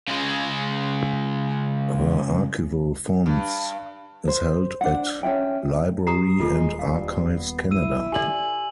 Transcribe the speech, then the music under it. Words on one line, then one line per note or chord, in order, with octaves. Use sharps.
Her archival fonds is held at Library and Archives Canada.
C#3 G#3
G2
C5
D4 F#5
C#4 F4 E5 G5
G4 A#5 D#6 C7
D#1 G#3 F4 A4
G2 F5
B3
E4 E6 D#7
G4 A4 D5 G#5 F#7